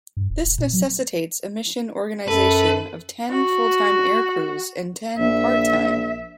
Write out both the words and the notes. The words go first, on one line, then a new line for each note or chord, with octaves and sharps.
This necessitates a mission organization of ten full-time aircrews and ten part-time.
G2
E1
E1
A#2
F#3
F#2 A4 B4
F#4
A#1 E5